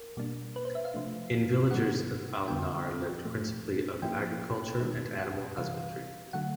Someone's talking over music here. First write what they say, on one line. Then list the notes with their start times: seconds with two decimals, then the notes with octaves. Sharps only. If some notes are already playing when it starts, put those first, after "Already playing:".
In villagers of Al-Nahr lived principally of agriculture and animal husbandry.
Already playing: A#4
0.17 B2 G3 A#3 D4
0.56 B4
0.65 C5
0.75 E5
0.85 F5
0.94 C3 F3 A3 D4
1.71 G#2 D#3 G3 B3 D4 F#5
2.48 F2 D3 G3 B3 D4 G5
3.25 A#2 F3 A3
4.02 A2 F3 A#3 C#4 E4 G5
4.80 D#3 G#3 B3 D#4
5.19 F#5
5.57 C3 E3 G3 F5
6.33 D3 F#3 A3 F#5